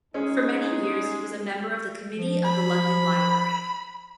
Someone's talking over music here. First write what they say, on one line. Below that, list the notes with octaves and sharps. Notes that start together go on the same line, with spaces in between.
For many years he was a member of the committee of the London Library.
G#3 C#4 D#4 G#4
F3
B5